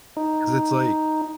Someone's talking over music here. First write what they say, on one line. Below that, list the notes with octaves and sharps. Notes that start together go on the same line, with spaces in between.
'Cause it's, like
D#4